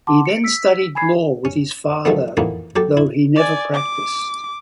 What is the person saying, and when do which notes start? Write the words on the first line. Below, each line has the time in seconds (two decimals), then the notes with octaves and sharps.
He then studied law with his father though he never practiced.
0.07 F#5 A5 C6 D6
0.26 C#7 D7
0.44 E6 B6
0.95 G#5 B5 G#6 C7
1.45 C#4
2.05 D#3 F3 F#3 G#3 A3 B3
2.37 F2 A#2 D#3 E3 A#3 B3
2.76 F#3 G4 A4
2.97 E4
3.36 D5 G#5
3.73 D6